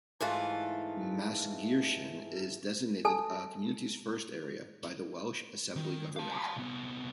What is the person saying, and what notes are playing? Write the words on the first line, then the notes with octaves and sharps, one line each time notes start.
Maesgeirchen is designated a 'Communities First' area by the Welsh Assembly Government.
G#2 E3 A3 F4
A4 G#5 A5
D#3
F5 A5
C2 B3